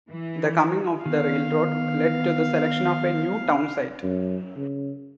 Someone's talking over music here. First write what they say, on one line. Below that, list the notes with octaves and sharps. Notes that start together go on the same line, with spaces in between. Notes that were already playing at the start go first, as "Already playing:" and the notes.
The coming of the railroad led to the selection of a new town site.
E3
D#3 B3 F5
F#2
C#3